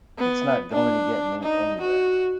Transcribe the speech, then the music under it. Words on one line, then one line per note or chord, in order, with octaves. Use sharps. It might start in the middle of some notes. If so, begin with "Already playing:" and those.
It's not going to get me anywhere.
B3
D4
D#4
F#4